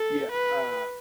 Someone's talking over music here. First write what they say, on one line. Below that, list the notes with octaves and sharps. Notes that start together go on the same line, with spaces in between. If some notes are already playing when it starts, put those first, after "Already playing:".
Yeah, uh
Already playing: A4
B4